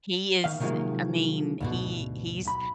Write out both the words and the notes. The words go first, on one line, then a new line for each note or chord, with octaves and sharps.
he is, I mean, he he's,
D#3 F5
C3 D#3 F3 F#3 G#3 A#3
D2 G#2 B2
B1 B5